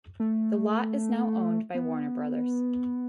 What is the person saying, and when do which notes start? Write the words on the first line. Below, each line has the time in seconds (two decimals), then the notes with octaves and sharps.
The lot is now owned by Warner Brothers.
0.20 A3
1.75 B3